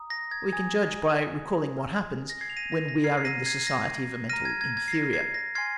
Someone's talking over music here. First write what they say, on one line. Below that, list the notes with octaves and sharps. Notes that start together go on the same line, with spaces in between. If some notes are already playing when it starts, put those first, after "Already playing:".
We can judge by recalling what happens when we are in the society of a mental inferior.
Already playing: A#5 D#6
A#6
G#6
G#5 D#6 G#6
G#5 F6
A#6
G#6 C7
F7
A#6 D#7
A#6
A#6
A#5 F6 G#6 C7
C7
A#6 D#7
G#6 C7
A#6
A#5 F6 A#6 D#7
G#6
G#6
G#6
C7
A#6
G#6 C7
A#6
G#5 C6 F6 G#6 C7